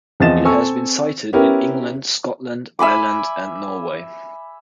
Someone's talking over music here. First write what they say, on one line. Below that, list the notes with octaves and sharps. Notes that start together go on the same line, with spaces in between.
It has been sighted in England, Scotland, Ireland, and Norway.
E2 F3 C4 D#5 A6 E7
C4 A4 G#5 C#6 E6
B3 C#4 E4 G4 A#4
E5 G#5 B5 D6